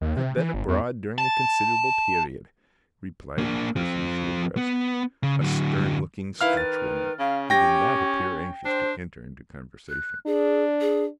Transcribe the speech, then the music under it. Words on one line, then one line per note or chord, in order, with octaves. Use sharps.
"I have been abroad during a considerable period," replied the person she addressed, a stern-looking Scotchwoman who did not appear anxious to enter into conversation.
D#2
C3
E3
G1
E2
A5
A#3 D4
F3 C4
B3
C#3
D3 F#3
D#3 E4 B4 F5 F6
A6
C#3 F5
C#4 G4 G5 A#6
D4 C5
F#6
D4 G#4
G#4